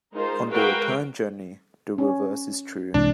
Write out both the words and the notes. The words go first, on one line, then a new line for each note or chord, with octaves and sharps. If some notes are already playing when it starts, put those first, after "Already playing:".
On the return journey, the reverse is true.
G#3 D#4 F4 A#4 C5
G#3 F#4 A#4 B4 F5 G5
C#4
C2 G#2 E3 G#3 D4